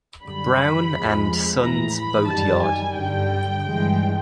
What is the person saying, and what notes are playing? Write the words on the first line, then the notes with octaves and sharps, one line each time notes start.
Brown and Sons boatyard.
F#2 D3 G3 B5
E2 C3 F3 G#3
A2 E3 G#3 A#5
B5
F#2 D#3 G3 A5
G#5
G2 D3 G3 G5
G2 E3 G#3